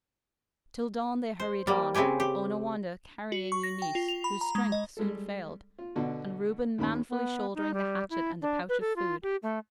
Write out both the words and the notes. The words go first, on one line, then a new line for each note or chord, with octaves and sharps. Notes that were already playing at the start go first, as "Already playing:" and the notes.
Till dawn they hurried on, Onawandah carrying Eunice, whose strength soon failed, and Reuben manfully shouldering the hatchet and the pouch of food.
C5
G3 A#3
C#3 C4 E4 G4 G#5
G4
F#4
C#6
A#6
G5
F4
F7
B5
A#5
G#3
D#5
G3 G#3 A4
F4
B2 D3 F#4
D#2 D#3 C#4 B5
B3
D#4
G3
E4
D4
B4
A4
F4
G4
A3